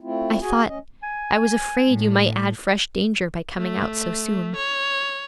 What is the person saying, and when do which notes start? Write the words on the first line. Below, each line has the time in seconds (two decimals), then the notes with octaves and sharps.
'I thought--I was afraid you might add fresh danger by coming out so soon.'
0.01 A3 C4 E4 F4
0.41 F#4 G#4 G#5
0.67 D2 C#4 D#5
1.03 G#5
1.89 A2
3.57 A3
4.56 C#5